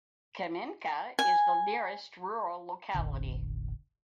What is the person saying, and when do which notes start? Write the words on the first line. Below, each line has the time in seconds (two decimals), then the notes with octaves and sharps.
Kamenka is the nearest rural locality.
1.19 G#5
2.94 E1 A1 D3